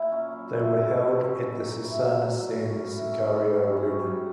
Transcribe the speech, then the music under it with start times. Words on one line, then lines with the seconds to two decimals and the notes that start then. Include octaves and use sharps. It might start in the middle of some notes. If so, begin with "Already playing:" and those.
They were held at the Cesana-San Sicario arena.
Already playing: A#2 E4
0.12 C#4
0.32 F#3
0.54 E4
0.76 C#4
0.98 C#4
1.19 C#4
1.40 A#2
1.62 F#3
1.84 E4
2.05 A#2
2.26 F#3
2.48 F#3
2.69 C#4
2.91 E4
3.12 C#4
3.34 G3
3.56 F#2
3.77 C#4
3.99 G3